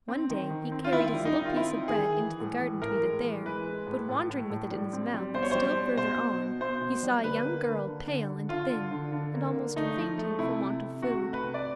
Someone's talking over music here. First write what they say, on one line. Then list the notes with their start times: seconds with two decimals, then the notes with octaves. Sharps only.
One day he carried his little piece of bread into the garden to eat it there, but wandering with it in his mouth, still further on, he saw a young girl pale and thin, and almost fainting for want of food.
0.08 C4
0.30 D#3
0.50 D#3
0.72 C4
0.84 F4
0.93 D#3 E4
1.14 G3
1.25 D#4
1.35 D#3
1.45 F4
1.56 C4 E4
1.77 D#3
1.88 G#4
1.98 D#3
2.19 E3
2.40 A2
2.62 E3
2.82 A2 A#4
3.03 G#3
3.24 E3
3.45 G#3 B4
3.67 G#3
3.87 A2
4.09 A2
4.30 A2
4.50 A2
4.71 G3
4.93 C4
5.14 G3
5.34 B2 C5
5.43 C#5
5.51 G3 C5
5.76 B2
5.97 B2 C5
6.18 B2
6.40 B2
6.61 B2 C5
6.81 B2
7.03 G3
7.23 D3 B4
7.44 A#3
7.66 D3
7.87 D3
8.08 D3
8.28 D3
8.49 D3 F4
8.71 D3
8.91 D3
9.12 D3
9.34 A#3
9.55 D3
9.76 A3 D#4
9.96 F3
10.18 A3
10.38 C3 E4
10.60 C3
10.80 C3
11.02 C3 F#4
11.23 A3
11.33 B4
11.43 C3
11.54 D5